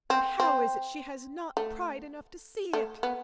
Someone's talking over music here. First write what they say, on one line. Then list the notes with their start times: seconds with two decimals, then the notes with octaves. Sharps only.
And how is it she has not pride enough to see it?
0.10 C4
0.40 C4
1.57 A3
2.73 A3
3.03 B3